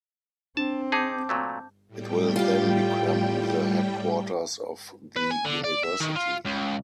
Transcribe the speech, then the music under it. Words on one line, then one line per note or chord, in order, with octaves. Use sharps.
It will then become the headquarters of the university.
C4 D4 A5
D#4 G#4 A5 D6 G6
A#2 F#3 A3
A2 G3 G5
F4 G4
B4
G#5
D3
D5
E5
D#3
F4
C#2